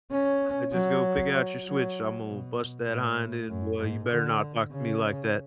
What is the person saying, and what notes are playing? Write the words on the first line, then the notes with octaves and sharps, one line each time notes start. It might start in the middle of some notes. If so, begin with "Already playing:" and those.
I just go, "Pick out your switch, I'm gonna bust that hind end, boy, you better not talk to me like that."
C#4
F#3
F#3
B2
A2
F#2
G#2
D3
C#3